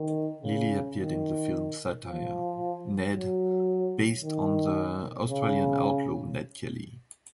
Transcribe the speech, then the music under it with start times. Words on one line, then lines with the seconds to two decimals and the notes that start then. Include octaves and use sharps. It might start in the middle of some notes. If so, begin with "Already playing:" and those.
Lilley appeared in the film satire, "Ned" based on the Australian outlaw Ned Kelly.
Already playing: D#3
0.43 C#3
0.97 D#3
2.05 F3
3.14 F#3
4.22 D#3
5.30 C#3